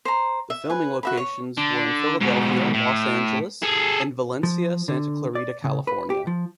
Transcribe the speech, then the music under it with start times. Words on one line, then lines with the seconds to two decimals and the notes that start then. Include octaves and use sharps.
The filming locations were in Philadelphia, Los Angeles, and Valencia, Santa Clarita, California.
0.05 C5 A#5
0.50 E5
0.70 B4 G#5
1.03 F#4 E5 B5
1.17 C#5
1.57 D3
2.21 G#2 B2
2.73 A2
3.63 G#4 A4
4.43 F3
4.88 D3
5.35 D5
5.64 C#3
5.87 B4
6.10 G4
6.27 F3